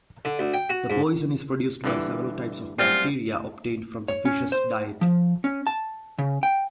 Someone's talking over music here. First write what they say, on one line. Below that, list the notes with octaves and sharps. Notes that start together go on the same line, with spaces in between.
The poison is produced by several types of bacteria obtained from the fish's diet.
D3
D2
G5
F#4
G#2
G2 D3 E3
F#2 G3 C4 F4
C#5
C#4
C5
F3
C#4
A5
C#3
G5